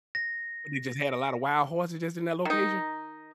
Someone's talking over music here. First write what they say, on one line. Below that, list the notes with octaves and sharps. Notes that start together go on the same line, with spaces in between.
What they just had a lot of wild horses, just in that location?
A#6
D#3 D#4